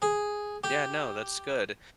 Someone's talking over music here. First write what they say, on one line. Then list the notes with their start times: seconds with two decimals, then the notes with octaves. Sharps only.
Yeah, no, that's good.
0.02 G#4
0.64 G4